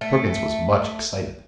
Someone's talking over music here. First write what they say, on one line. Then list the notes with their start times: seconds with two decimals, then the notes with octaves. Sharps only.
Perkins was much excited.
0.01 A3